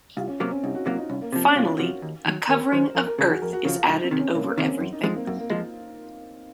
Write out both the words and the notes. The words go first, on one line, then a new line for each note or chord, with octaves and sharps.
Finally, a covering of earth is added over everything.
C2 F4
C#4
C3 F#3 A#3 C4
C#4
C2 D#4
F#4
C3 F#3 A#3 F4
D#4
C2 C#4
A#3
C3 F3 C4
C#4
C2 F4
C3 F3 F#4
D#2
D#3 F#3
D#2 A#4
D#3 F#3 C5
F2 A#4
A#4
C#3 F3 G#4
F#4
F2 A#4
F#4
C#3 F3 F4
F4
C2 D#4
C4
C3 D#3
C#4
C2 A#3
A#3
C3 D#3 C4
C#4
F#2
D#4
F3 G#3 C4
A#3
F#2 A#3
A#3
F3 G#3 F4